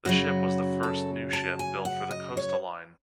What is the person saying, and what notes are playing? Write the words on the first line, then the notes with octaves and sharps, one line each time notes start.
The ship was the first new ship built for the Costa Line.
F#2 C#3 F#3 F#4
A4
A5
G#5
F#5
D#5
C#5